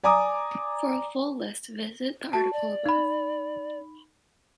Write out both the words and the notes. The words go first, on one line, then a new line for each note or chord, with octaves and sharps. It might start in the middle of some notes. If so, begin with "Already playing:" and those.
For a full list, visit the article above.
D5 G#5 A#5 D6 D#6
F#4 A5
D5
D#4 B5